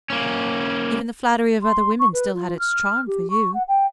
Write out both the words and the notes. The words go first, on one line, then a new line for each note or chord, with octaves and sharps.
Even the flattery of other women still had its charm for you.
A#3 C#4
C6
C#6
B4
F4
F6
G4
C#6
F#5
G5